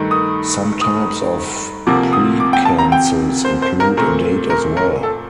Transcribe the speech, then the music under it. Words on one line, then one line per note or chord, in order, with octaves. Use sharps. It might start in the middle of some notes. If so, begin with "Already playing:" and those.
Some types of precancels include a date as well.
Already playing: G2 D#3 A3
D#6
D#6
D2 C3 F3 A#3 D6
D#6
D6
G5
A5
A#5
G5
C5
C5
A#4
A#2 A3 C4 A#4
A#4
A#4
A4